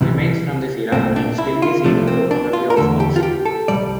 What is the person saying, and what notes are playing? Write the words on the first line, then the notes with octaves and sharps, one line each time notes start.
Remains from this era can still be seen in the topography of Oxie.
C2 C3 E3 G3
C2 A#2 A3 C4
D4
E4
F4
C2 C3 F3 A3 D4
C4
D4
F4
A#4
E2 D3 A3 A4
G4
F4
G4
A4
A#2 G3 D5
C2